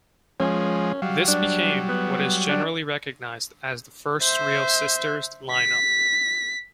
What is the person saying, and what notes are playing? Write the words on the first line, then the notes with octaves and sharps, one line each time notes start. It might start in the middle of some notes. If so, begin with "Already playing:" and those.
This became what is generally recognised as the first real Sisters line-up.
F3 G#3 C#4
F#3 G3 F5
D4
B3
D4
C5 E5
B6